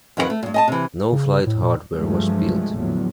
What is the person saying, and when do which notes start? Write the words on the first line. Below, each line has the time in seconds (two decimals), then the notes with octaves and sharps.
No flight hardware was built.
0.17 F2 D#3 G4 B4 F#5
0.30 A3
0.43 G2 A#2
0.54 D#5 G#5 A5
0.68 C3 E3
1.12 C#3
1.26 C#3
1.47 A2
1.63 A#2
1.93 G2 C3 F3 F#3 G#3 A3
2.73 A#1 E2 A2 D3 F#3